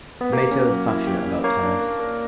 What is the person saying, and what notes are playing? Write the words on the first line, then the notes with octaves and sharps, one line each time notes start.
Mato is passionate about tennis.
B3
A#3 G4
C#4
F#3
E4
G4
C#4
A#3 C#5
D4
A#3
A#4